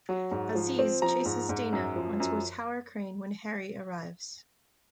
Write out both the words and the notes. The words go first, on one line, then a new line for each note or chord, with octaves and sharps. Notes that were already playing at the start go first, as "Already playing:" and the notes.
Aziz chases Dana onto a tower crane when Harry arrives.
F#3
G#2
F3
C4
F3 A#5
G#2
G#2
F#2
F3
F#2